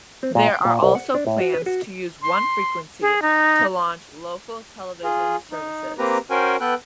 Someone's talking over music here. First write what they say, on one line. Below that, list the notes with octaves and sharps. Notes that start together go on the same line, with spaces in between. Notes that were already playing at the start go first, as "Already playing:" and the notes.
There are also plans to use one frequency to launch local television services.
C4
A#2
G5
A#2
C2
F#5
D4
A2
F#4
B4
F#4
C6
G#4
D#4
F4 G#4
D#4
A#3 C4 G4 B4 A#5
C#4 F#4 A#4 C5 G5 G#5
B3 A4 B4 G5 F#6